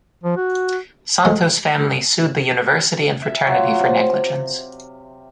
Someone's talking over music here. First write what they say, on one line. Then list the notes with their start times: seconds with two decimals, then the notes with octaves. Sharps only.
Santos' family sued the university and fraternity for negligence.
0.24 F3
0.37 F#4
1.25 F3 G#3 A3
3.22 E5
3.47 F#3 F4
3.80 C3